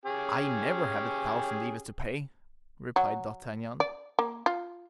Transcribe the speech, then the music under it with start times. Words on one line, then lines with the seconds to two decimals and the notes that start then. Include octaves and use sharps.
"I never have a thousand livres to pay," replied D'Artagnan.
0.05 C#4 G4 G#4
2.96 F#3
3.80 D5
4.19 A#3
4.46 F4